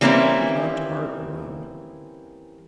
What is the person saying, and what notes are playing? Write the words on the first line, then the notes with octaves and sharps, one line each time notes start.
He loved art alone.
E3 G3 A#3 C4 C#4 E4